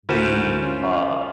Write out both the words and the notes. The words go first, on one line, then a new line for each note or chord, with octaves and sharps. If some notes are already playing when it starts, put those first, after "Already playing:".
the, uh,
D2 E4 F#4 A#4 C5 E7
C#4 F4